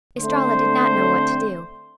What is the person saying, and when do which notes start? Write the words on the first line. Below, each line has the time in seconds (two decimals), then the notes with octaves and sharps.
Estralla did not know what to do.
0.18 D3 A3 C4 C5